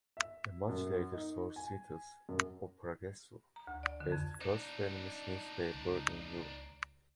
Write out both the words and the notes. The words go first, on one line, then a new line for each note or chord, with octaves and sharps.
A much later source cites "O Progresso" as the first feminist newspaper in Europe.
E5
F#2
D#4
G#5
F#2
A#5
D2
D5
D3
F2
D4 D#4
C#2